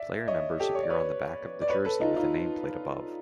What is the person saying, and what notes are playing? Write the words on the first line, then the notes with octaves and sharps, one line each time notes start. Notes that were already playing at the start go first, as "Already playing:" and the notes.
Player numbers appear on the back of the jersey with a nameplate above.
Already playing: D5 E5
C#5 D#5
G4 A4
C#5
D5
B4 C#5
D5
B4 C#5
A4 B4
D#4 F4
D#4 F4